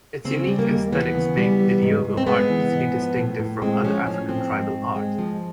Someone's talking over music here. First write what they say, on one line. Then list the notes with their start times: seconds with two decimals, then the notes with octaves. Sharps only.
Its unique aesthetics make Bidyogo art easily distinctive from other African tribal art.
0.25 C#3 C4
0.47 G3
0.59 A#3
0.69 D#2
0.92 E3 B3
1.14 C#3
1.37 G3
1.59 E3
1.82 G#2
2.05 G#2
2.17 C4
2.27 G#3 B3
2.49 E3
2.72 G#2
2.94 F3
3.17 A2
3.39 A2
3.62 G#3 C4
3.84 F3 C#4
4.06 A2 C#4
4.28 F3 C4
4.52 G#2
4.73 G#2
4.96 G#3
5.18 F3